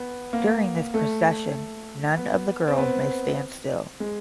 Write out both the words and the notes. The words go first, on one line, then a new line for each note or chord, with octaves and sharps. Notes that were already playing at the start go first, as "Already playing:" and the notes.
During this procession, none of the girls may stand still.
Already playing: B3
A#3
A3
B3
C4
B3
G#3